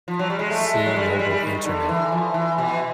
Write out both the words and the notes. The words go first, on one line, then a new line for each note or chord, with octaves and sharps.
See mobile Internet.
F3
F#3
G3
G#3
A3
G#3
F#3
G3
G#3
G3
G3
D#3
D3
E3
F3
E3
B2